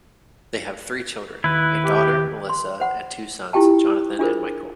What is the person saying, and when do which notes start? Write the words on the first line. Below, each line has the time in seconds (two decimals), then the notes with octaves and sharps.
They have three children: a daughter, Melissa, and two sons, Jonathan and Michael.
1.44 D#2 E4 B4
1.85 G4
2.49 C6
2.80 C5 F#5 B5
3.53 E4 F4 G4 G5 A5
4.19 D4 F4 G#4 A#4 C5